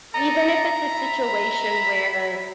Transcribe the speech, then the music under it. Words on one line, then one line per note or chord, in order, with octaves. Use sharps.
even if it's a situation where,
A4 D5 D#5 A#5
E5 B5